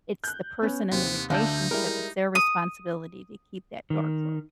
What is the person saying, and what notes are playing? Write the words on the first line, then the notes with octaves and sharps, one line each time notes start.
it's the person in the relationship, it's their responsibility to keep that door closed
F#6 G6
B3 C#4
D#2 C3 B3 C4
D2 D3 D#4 F5 A5 G6
G3 G#3 E4 A#4
D#6
D#3